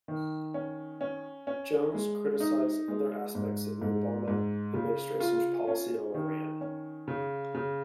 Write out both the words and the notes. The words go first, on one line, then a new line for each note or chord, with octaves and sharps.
Jones criticized other aspects of the Obama administration's policy on Iran.
D#3
C#4
C#4
C#4
G#3
D#4
G#3
G#2
G#2
G#2
C#3
F4
C#4
D#3
C#4
C#3
C#3